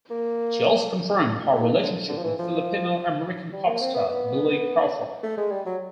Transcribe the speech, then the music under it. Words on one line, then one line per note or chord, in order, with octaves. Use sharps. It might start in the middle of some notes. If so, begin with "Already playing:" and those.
She also confirmed her relationship with Filipino-American pop-star Billy Crawford.
A#3
A3
D#3
E3
D3
D3
F3
E3
F3
G3
A#3
C4
B3
B3
A3
G#3
G3
F#3